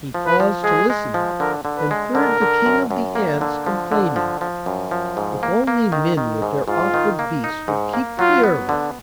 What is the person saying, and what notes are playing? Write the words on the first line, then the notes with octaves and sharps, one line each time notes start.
He paused to listen, and heard the King of the Ants complaining: 'If only men with their awkward beasts would keep clear of us!
F3
B4
F3
G#3 G#4
G#3
F3
D3 A#4
D3
B4
G#3
D3 A#4
D3
F#2
F#2
A#3
D3
F3
D3
F3
F3
F#2
F3
G#2
A#3
A#3
D#3
D#3
G#2
G#2 F4
D#3
A#3
D#4
G#2
A#3
F#3 F4
B3
D3